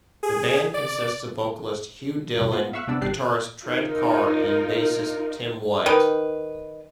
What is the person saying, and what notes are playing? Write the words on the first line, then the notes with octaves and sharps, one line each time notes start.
The band consists of vocalist Hugh Dillon, guitarist Trent Carr, and bassist Tim White.
G#4
D5
G2 B2
B3 F4
E5 F5 B5 C#6 E6 F#6
C3 B3 D4 E6
G#1 G3 D4 G4 F#6 C7
D#4 F4 A#4
D#3 D#4 B4